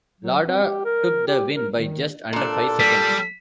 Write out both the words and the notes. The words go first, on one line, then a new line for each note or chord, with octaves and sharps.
Lauda took the win by just under five seconds.
F#3
C4
G4
A#4
G4
A#4
D#3
A#2 D4 A4
G3 B6